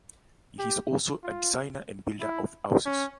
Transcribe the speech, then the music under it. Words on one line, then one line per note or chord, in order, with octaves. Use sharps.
He is also a designer and builder of houses.
G4
F4
E4
C#4